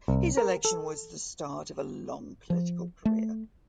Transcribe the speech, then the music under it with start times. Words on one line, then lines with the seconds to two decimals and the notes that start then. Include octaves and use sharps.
His election was the start of a long political career.
0.08 C2
0.37 A#4
0.65 A4
2.50 F3
3.05 A3